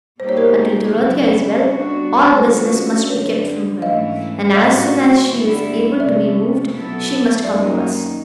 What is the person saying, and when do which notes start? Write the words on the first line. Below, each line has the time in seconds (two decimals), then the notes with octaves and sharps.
Until Dorothea is well, all business must be kept from her, and as soon as she is able to be moved she must come to us.
0.20 B2 G3 A#3 D#4 G4 C5
0.29 C#5
0.37 A#4 C5
0.93 F#2 C#3 F#3 B3 E4
1.64 G3 B3 D4 F#4
2.28 C5
2.37 D3 F3 G#3 C#4 F#4 A4 B4
3.10 F#2 D3 G3 B4 C#5
3.82 G#2 E3 A3 C#4 E4 D#5 F5
4.55 A2 F#3 A#3 C#4 F#4 D#5 F5
5.27 G2 D3 G3 B3 E4
6.00 C3 F3 A3 C#4 D5 E5
6.71 B2 F#3 B3 E4 A4
7.44 F#2 D#3 F#3 A#3 D#4 D5 E5